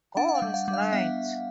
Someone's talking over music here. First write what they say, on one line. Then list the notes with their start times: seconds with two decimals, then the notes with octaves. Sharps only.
God is Light.
0.17 D4 F#5
0.28 F#5
0.35 F5
0.42 G3
0.54 F5
0.68 G3
0.73 F5
0.93 B3 E5